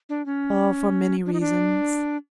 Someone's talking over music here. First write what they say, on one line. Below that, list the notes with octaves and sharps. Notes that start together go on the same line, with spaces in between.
"For many reasons."
D4
C#4
D4
D#4
D4